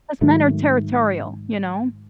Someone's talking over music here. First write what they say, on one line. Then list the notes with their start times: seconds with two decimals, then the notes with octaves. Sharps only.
'Cause men are territorial, you know?
0.21 G#2 D#3 F#3 A3